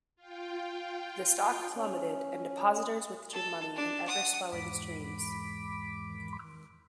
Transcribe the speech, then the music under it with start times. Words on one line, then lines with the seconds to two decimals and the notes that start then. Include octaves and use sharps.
The stock plummeted and depositors withdrew money in ever-swelling streams.
0.16 F4 G5
1.75 C#4
3.32 A4
3.75 D4
4.07 F#5 D#6
4.52 E2 G#2 B5 D6